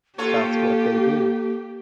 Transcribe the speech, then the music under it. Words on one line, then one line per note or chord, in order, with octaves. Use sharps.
That's what they do.
A#3 F4 G4 A4 C#5